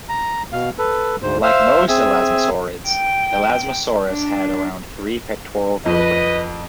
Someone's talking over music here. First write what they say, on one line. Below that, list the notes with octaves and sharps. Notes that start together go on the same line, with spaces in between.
Like most elasmosaurids, "Elasmosaurus" had around three pectoral vertebrae.
A#5
B2 F5
A4 B4
D2 G#2 C5
C5 E5 F5
C4 G#4 E5 G#5
G5
D4
F2 B4 D#5